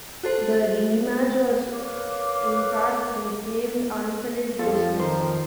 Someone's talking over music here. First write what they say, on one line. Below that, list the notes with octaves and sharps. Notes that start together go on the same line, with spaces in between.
The rematch was, in fact, nicknamed "Unfinished Business".
F#4 A4 C5
A#4 B4 C#5 F5 D6
F2 F3 F4 A4 C#5
D#3 A#4 C5